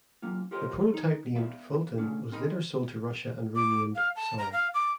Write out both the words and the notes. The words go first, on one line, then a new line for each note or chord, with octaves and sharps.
The prototype, named "Fulton", was later sold to Russia, and renamed "Som".
F#3 A#3 C#4 F4
F4 G4 A#4 C5 C#5 D#5
D#4
B3 D5 E5 F5
C#3 E3 A3 C#4 D4
C4 D#4 A#4 D#5 B5
D6
F5
A5
A#5
F5
D6